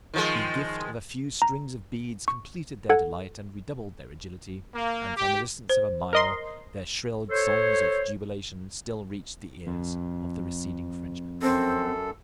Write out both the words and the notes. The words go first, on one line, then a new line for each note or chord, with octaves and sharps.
The gift of a few strings of beads completed their delight and redoubled their agility; and, from the distance of a mile, their shrill songs of jubilation still reached the ears of the receding Frenchmen.
D#3 F3 G#3
A#5
C#6
A4 F#5 G#6
A#3
G4
C5
A#4 D#5 C6
A4 C5 C#5
F2
F#2 C4 A4